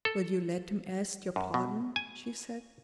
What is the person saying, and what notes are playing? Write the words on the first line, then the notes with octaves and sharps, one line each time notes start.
"Will you let him ask your pardon?" she said.
A4
F#2
B2
G#5